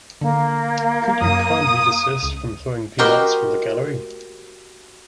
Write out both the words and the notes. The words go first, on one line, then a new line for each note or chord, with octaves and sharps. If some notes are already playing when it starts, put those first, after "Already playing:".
Could you kindly desist from throwing peanuts from the gallery?
D3 A#3
F#2 D#6
C#2
F#4 G4 A#4 C5 D#5